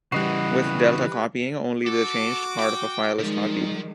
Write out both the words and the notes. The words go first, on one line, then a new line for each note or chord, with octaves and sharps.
With delta copying, only the changed part of a file is copied.
C#3 E3 G3 F#4 B4 D#5 F#5 C7
F#4 A4 D6
G5
D#3 F3 G3 G#3